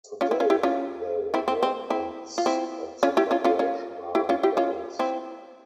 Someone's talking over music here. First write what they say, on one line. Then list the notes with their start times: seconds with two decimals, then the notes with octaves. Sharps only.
Today the remnants of the corporation are Denny's.
0.21 C#4 F4
0.31 C4 E4
0.40 C#4 F4
0.50 E4 G4
0.63 C#4 F4
1.34 C4 E4
1.48 C4
1.63 C4
1.90 C4 E4
2.38 F4
2.46 C4 E4
3.03 C#4 F4
3.17 E4 G4
3.31 C#4 F4
3.44 C#4 F4
3.59 C#4 F4
4.15 E4 G4
4.29 C#4 F4
4.43 E4 G4
4.57 C#4 F4
4.99 C4 E4